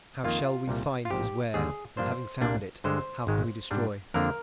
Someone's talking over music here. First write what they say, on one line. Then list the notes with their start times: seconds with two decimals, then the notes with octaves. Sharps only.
How shall we find his where; and having found it, how can we destroy?
0.24 F2 D#3 A#3 F4
0.68 C2 A#2 G3
1.05 F4
1.10 A#1 G#2 F3 C4 G4
1.54 D#2 D3 G3 G#4
1.97 G2 F3 A#3 D4 C5
2.41 C2 A#2 G3 A#3 D4
2.84 G2 D3 G#3 C5
3.27 G#1 G#2 D#3 G#3
3.71 G#2 G3 D4
4.14 F2 D3 F3 A#3 D4 A#4